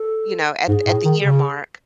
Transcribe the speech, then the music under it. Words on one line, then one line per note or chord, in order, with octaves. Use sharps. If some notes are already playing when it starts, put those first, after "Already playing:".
you know, at at the year mark,
Already playing: A4
G#2 G#4
A2
D#3
C#3